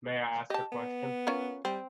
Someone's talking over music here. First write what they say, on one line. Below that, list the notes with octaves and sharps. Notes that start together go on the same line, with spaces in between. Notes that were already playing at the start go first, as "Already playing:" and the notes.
May I ask a question?
G4 D#5 A5
B3
C#4 F4 A#4
G3 C4